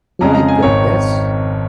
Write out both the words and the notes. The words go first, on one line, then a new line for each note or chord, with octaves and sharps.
Like that. That's
F2 C#3 G#3 A#5
A#5
G#5
G#1 D#3 C#5